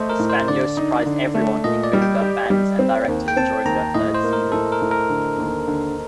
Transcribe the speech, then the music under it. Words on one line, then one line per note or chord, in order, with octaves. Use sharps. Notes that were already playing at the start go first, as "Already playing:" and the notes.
Hispano surprised everyone including their fans and directors during their third season.
Already playing: A3 C5 D#5
A#4
A2
C5
D3 D5
D#4
D3
A3
A#2 D#5
D5
G3
G5
G4
G3
C4
D#2
G5
C4 A5
D#2 A#5
A2 D#5
C5
A#3
A#4
A2 A4
A#4
A2
A#4
D3
D#2
D3